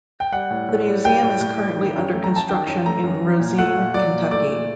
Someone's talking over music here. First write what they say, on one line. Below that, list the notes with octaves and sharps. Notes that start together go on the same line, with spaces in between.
The museum is currently under construction in Rosine, Kentucky.
G5
G3 F#5
A2
A2
G3
G3 G5
A2
A2
G3
D#3
F#2
A3
A#5
F#2 A5
D#3 G5
F#2
A3 A#5
F#2
F#3
A#2
A3 F#5
A#2
F#3 D5
A#2
A3 D5
A#2